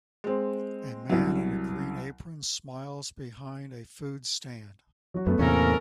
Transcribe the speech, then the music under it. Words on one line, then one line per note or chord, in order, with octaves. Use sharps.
A man in a green apron smiles behind a food stand.
G#3 C4
C2 F#3
F#3 F#4
F#2 A3 B3
E2 A2 C3 A#3 C4 C#4 A4 A#4